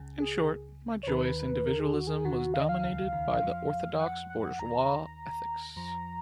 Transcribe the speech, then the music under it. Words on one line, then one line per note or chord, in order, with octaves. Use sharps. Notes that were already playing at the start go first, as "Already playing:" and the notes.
In short, my joyous individualism was dominated by the orthodox bourgeois ethics.
Already playing: C#2 C#3
G#4
C#5
D#2 D#3 B4
A#4
G#4
F#4
G#4
D#2 D#3 F#4
F5
D#5
F5
C#2 C#3
D#2 D#3
F2 F3
F5
F#5
F#5
D#2 D#3 A#5
F2 F3 A#5